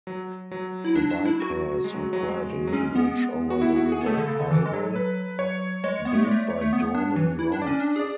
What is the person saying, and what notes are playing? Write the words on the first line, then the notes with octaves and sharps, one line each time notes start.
The bypass required a new bridge over the River Ivel, built by Dorman Long.
F#3
F#3
E4
D4
D4
E4
F#4
G#3
F#3
F#3
G#3
F#3
G#3 C#4
B3
F#4
E4
F#4
G#4
B3
A3 A4
D3
C#3
D3
E3
G#3
F#3
B4
C#5
G#3 C#5
B3
A3
G#3
A3 D5
C#5
A3
B3
D4
E3
E4
D4
C#4 D5
D4
G#4 D5